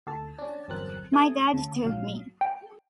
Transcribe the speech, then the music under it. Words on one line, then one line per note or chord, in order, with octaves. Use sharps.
My dad took me.
D2 A4 A5
C#4 D4
G1 E2 F#3 C4 A#4 F#6
C3 A3 G#5 D#6
D2 C#3
A#1 G#2 F#3 F5
G5